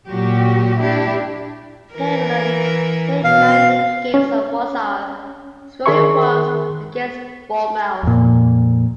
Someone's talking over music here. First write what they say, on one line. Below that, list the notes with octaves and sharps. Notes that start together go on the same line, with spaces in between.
Ekelund played nine league games for Walsall, scoring once against Bournemouth.
A#2 F#3 F#4 G4
D4 E4 G4
E3 A#4
B2 F5
C#4
D#3 G#4 A#4 E5 C6 C#6
F2 A#2